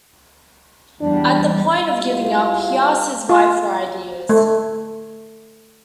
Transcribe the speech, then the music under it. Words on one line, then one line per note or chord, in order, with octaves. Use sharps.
At the point of giving up, he asked his wife for ideas.
E2 G3 D4
G3 B3 E4 F4 D#5 F5
F4
A3